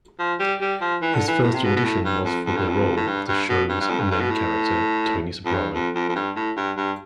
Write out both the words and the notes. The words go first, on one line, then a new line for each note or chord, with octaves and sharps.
His first audition was for the role of the show's main character, Tony Soprano.
F3
G3
G3
F3
E3
D3
E3
A2
C3
B2
B2
A2
G2
F2
F2
G2
F2
A2
G2
G2
B2
G2
G2
F2
G2
G2
B2
A2
F2
G2
F2
F2
F2
G2
A2
G2
G2